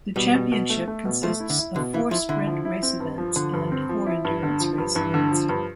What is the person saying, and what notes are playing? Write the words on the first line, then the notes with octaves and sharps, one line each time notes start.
The Championship consists of four Sprint race events and four Endurance race events.
B2 G3
B2
B2
A3
A3
B2
F3 A3
E4
D3
E4
B2 D3
E3 E4
F3 E4
D3 E4
F3
E4
C4
G2
F3
D3 F3
G2
C4
F3
E4
G2
D3
F3
G2
G2 E3
D3
F3
G2